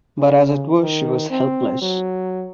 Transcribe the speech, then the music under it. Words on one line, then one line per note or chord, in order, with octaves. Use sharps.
But as it was she was helpless.
C#3
D#3
C4
F#3